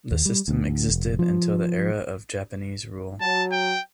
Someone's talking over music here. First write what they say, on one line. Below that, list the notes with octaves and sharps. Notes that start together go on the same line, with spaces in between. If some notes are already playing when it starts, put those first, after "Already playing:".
The system existed until the era of Japanese rule.
D#2
G3
D2
F1
F3
F#3 A5
G5